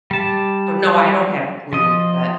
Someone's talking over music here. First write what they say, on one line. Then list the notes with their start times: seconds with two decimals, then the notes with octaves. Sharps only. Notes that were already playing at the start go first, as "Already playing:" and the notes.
So, no, I don't have a clue, but
0.11 G3 A5
1.73 F3 D#5